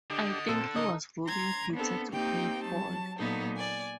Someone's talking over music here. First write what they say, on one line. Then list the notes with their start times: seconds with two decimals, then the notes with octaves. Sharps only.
I think he was robbing Peter to pay Paul.
0.10 D3 D4 G4 D#5
0.49 A#2 C4 A4
0.76 C#3 D#4 D#5 C#6
1.27 A#5 C6 G#6
1.73 B3 C4 D4 A4
2.12 A#3 C4 D#4 G4 G5
2.63 F#3 A5
3.18 A#2 F#3 A#3 B3 D#4 A4
3.57 D5 G#5